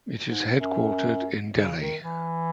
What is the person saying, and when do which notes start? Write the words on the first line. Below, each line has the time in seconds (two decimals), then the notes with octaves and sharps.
It is headquartered in Delhi.
0.25 G#2
0.58 F#2
1.58 C#3
1.79 D#3
2.02 E3